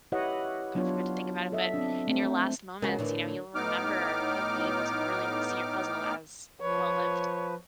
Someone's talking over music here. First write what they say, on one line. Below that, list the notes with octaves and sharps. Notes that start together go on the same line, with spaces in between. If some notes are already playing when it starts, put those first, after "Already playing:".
god forbid to think about it, but in your last moments, you know, you'll remember, you'll be able to really r see your puzzle as well-lived.
E4 G4 B4 C#5 D#5 F#5
F#3 B3 D4 F4 C#5
A4 D#5 E5
C4 D4
A3 C4
C#2 C#3 F#4 A#4 C#5
A2 D3 E3
A2 B3 D#4 D6 F6
F3 B4 C#5